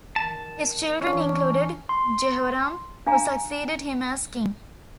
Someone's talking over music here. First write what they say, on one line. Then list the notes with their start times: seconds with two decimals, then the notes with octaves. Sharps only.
His children included Jehoram, who succeeded him as king.
0.16 D#3 A5
1.01 E3 C#4 D4
1.89 C6
3.06 D4 F5 G#5 A#5